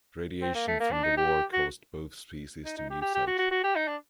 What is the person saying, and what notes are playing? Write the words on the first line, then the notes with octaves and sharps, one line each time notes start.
Radiation from the war caused both species to mutate.
C4
A#3
A3
A#3
D4
D#4
G4
F#4
D#4
D#4
G4
G4
G4
F#4
F#4
F#4
G4
D#4
D4